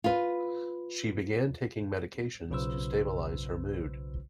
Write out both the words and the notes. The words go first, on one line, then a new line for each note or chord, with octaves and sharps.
She began taking medications to stabilize her mood.
F4 B4
B1 C#3 F4 B4 C5 E6